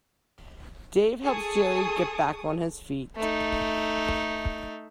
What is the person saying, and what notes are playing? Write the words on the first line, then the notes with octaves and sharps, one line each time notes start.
Dave helps Jerry get back on his feet.
G#4 A4 C#6 D#6
A3 D#4